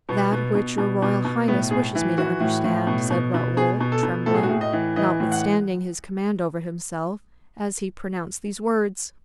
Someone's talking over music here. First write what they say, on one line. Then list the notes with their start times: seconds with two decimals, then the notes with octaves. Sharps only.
"That which your royal highness wishes me to understand," said Raoul, trembling, notwithstanding his command over himself, as he pronounced these words.
0.09 B2 B3
0.33 B2
0.55 B2
0.78 B2
1.02 B2
1.25 B2
1.48 A2 B3
1.71 A2 G#4
1.95 E3
2.18 E3 F#4
2.40 A2
2.64 A2
2.87 B2
3.10 B2
3.34 B2
3.57 B2 G#4
3.80 B2
3.92 A4
4.03 B2
4.26 A2 A4
4.34 G#4
4.43 F#4
4.49 A2 G#4
4.61 D#5
4.73 E3
4.96 E3 D#5
5.20 A2
5.32 F#5